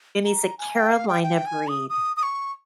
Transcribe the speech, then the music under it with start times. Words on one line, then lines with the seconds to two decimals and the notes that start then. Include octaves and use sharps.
and he's a Carolina breed.
0.25 A#5
0.58 G#5
0.75 G5
0.91 F5
1.08 G5
1.23 G5
1.46 G#5
1.68 D#6
1.89 D#6
2.17 D#6
2.23 C#6